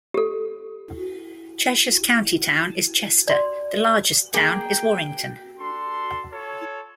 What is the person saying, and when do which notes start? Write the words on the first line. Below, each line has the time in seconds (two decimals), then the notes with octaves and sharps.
Cheshire's county town is Chester; the largest town is Warrington.
0.14 G4 A4
3.28 D5 C6
4.34 A#3 G#4 G5
5.59 D4 A4 C6
6.32 F4 A4 C#5